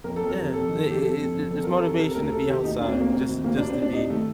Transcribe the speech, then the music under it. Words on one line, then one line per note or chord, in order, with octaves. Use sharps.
Yeah, it it it there's motivation to be outside just just to be
F2 A#4
A4
F2
A#4
C3
F2 A4
D#3
F2 G4
C3 A4
F2
F2
F2 A4
F2 A#4
A4
C3
A4
C3 A#4
A4
D2 A#4
C3 A4
D#3 G4
D2 D#4
D2 D4
C4
D2 A#3
D2 C4
D#3
D2 A#3
C3 D4
C4
D2 D4
C3 D#4
D#3 A3